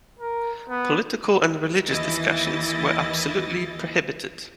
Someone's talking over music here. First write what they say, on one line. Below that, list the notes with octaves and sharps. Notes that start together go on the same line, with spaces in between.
Political and religious discussions were absolutely prohibited.
A#4
B3
D#2 E3 E4 D#5 A6